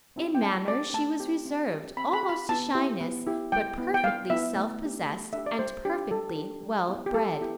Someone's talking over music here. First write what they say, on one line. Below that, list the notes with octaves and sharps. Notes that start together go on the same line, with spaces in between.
In manner she was reserved almost to shyness, but perfectly self-possessed, and perfectly well-bred.
C4 E4 G4
G5
A3 A5
C4 G4 D5
A3 A5
C4 G4
C4
G4
C4 B5
B5
G4
B5
B3 A5
E4 G4
B3
E4 G4
G3 G5
B3 E4
G5
G3 F5
B3 E4 E5
A3
D4 G4
A3
D4 G4 E5
D5
G3 C5
D4 G4
G3 A4
D4 G4
G3
B3 E4 G4
G4
G3 A4
B3 E4 G4